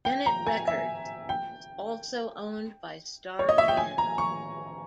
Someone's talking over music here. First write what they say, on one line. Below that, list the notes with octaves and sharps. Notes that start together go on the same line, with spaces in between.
Gennett Records was also owned by Starr Piano.
G5
A#5
G#5
E5
G5
C#5
D#5
E5
G5
G#5
A#5
C#6